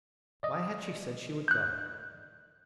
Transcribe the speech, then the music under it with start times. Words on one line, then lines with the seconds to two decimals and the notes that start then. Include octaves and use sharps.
Why had she said she would go?
0.43 D5 D#5
1.48 F#6 G6